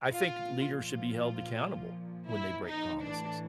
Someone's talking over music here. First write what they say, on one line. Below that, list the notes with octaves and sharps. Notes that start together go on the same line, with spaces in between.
I think d leaders should be held accountable when they break promises.
A#2 F3 F4
F4
E4
D#4
A2 E3 D4